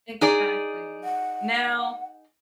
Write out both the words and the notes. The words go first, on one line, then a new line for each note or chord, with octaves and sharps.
Exactly. Now,
D#4 G#4 D5
F#5